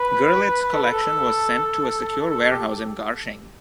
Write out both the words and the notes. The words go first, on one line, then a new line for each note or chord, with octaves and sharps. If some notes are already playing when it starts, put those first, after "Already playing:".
Gurlitt's collection was sent to a secure warehouse in Garching.
Already playing: B4
A4
B4
A4
A4
G4